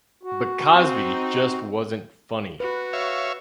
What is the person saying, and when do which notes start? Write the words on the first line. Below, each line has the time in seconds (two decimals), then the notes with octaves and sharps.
But Cosby just wasn't funny.
0.23 F#4
0.74 C4 D#4
2.60 F#4 B4
2.93 C#5 E5 F5